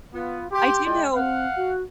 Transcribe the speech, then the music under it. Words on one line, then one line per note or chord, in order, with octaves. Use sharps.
I do know
B3 F4
G4 C6
G#3 D5 G5
C4 F5 F#5
F#4